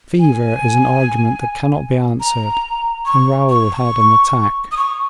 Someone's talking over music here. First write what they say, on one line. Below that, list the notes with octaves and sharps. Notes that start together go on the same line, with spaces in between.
Fever is an argument that cannot be answered, and Raoul had an attack.
G#5
A#5
C#6
C#6
D#6
C#6